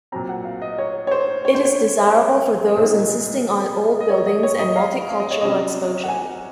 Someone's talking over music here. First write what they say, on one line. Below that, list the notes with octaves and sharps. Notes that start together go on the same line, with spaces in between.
It is desirable for those insisting on old buildings and multi-cultural exposure.
A#2 F#3 C4 A#5
F#5
F5
D#5
C#5
C#5
C5
C#5
C5
C#5
A#2 G#3 C4 D#4 C5
D#5
C#5
D#5
C#5
C#5
D#5
F5
F5
D#5
C#5
C3 F#3 C#4 D#5
F#5
G#5